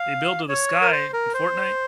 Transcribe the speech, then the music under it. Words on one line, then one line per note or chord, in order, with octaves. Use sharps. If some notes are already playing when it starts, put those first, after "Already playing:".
They build to the sky in Fortnite?
Already playing: F5
C#5
A#4
C5
A#4
C5